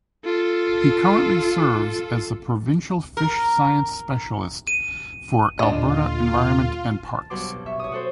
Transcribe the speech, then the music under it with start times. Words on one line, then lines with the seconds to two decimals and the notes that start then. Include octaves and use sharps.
He currently serves as the provincial fish science specialist for Alberta Environment and Parks.
0.25 F4 A4
3.17 A#4
4.67 D#7
5.59 D#2 A#2 D3 D4 F4 D#5
7.04 A5
7.30 G2 B2 F#3 C6 D6
7.66 E5 C#6
7.79 C#5 D#6
7.92 F#4 A4 C5